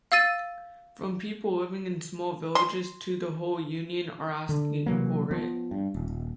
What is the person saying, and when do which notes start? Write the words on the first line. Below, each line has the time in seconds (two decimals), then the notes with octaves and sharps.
From people living in small villages to the whole Union are asking for it.
0.12 F5 E6 A6 D#7
2.55 C6
4.49 D3
4.86 C3 E3 F#3 A#3
5.31 F3 B3
5.71 G2
5.95 D#1